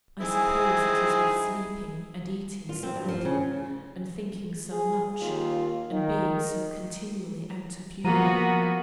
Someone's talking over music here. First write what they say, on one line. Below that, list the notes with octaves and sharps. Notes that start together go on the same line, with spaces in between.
I suppose it is with sleeping and eating so little, and thinking so much, and being so continually out of humour.
C4 D#4 E4 G#4
F4
C4
G2
F3
C#3
G#4
D#2 F4
D#3 D#4
F3 A#3 B3 F#4 A#5 D#7